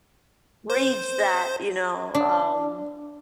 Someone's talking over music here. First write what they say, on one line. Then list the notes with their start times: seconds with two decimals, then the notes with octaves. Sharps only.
Reads that, you know, um
0.70 C5
2.15 D4